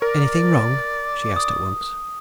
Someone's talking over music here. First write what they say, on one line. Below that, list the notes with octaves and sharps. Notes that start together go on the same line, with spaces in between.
"Anything wrong?" she asked at once.
A#4 D5
D#6